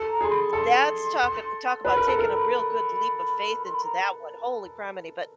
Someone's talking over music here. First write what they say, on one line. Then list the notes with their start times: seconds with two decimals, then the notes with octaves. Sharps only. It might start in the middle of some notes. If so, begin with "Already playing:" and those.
that's talking talk about taking a real good leap of faith into that one. Holy grammity. But
Already playing: A4
0.10 A#5
0.21 G#4 C6
0.31 B5
0.53 A4 C6
1.85 B4 B5
1.96 A#4
2.07 A4
2.19 A#4
3.65 C6
3.74 B5
3.82 A#5